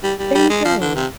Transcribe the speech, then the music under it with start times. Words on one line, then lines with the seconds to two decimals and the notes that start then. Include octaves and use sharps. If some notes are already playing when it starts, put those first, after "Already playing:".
There you go.
0.03 G3
0.19 G3
0.35 G3
0.50 G#3
0.65 F3
0.81 D3
0.96 C3